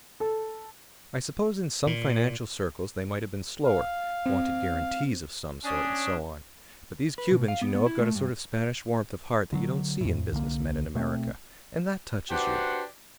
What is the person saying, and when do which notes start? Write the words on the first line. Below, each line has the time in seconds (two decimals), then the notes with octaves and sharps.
I suppose in some financial circles they might have been slower, wanted guarantees of some sort, and so on, but these Cubans, you know, have got a sort of Spanish warmth of heart that you don't see in business men in America, and that touches you.
0.20 A4
1.87 A#2
3.65 F5
4.26 C4
5.65 C#4 D4 D#6
7.18 B4
7.31 B2
7.48 F5
7.61 B3
7.75 B3
7.87 E4
8.00 A3
8.15 G2
9.53 D3 F#3
10.01 F2 A2
10.32 C2 D3 F3 A#3
10.95 B2 A3 A#3 C4
12.30 D4 F#4 G4 B4 C5 F#5